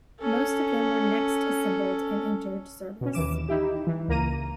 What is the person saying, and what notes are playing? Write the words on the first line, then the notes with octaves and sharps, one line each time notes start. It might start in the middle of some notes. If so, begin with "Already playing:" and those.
Most of them were next assembled and entered service.
C#4 A4
B2 C#4
D#2 E3 D6 E7
D#4 E4 G4
E3
C#2 A#3 A#5 D#7